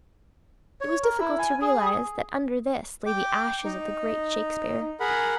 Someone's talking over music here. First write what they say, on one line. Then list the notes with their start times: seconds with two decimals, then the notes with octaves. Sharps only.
It was difficult to realize that under this lay the ashes of the great Shakespeare.
0.81 C#5
1.03 A#4
1.20 E4
1.39 G#5
1.61 G#4
3.06 G5 D6
3.64 D#4
5.00 G#4 A#4 F#5 B5